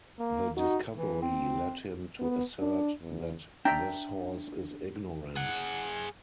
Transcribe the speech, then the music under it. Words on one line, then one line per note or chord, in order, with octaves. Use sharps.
The discovery led him to assert that "this horse is ignorant".
A#3
D#4 F#4
E3
C4
B3
D4
E2
D4 E5 G5 A#5
G#4 F#5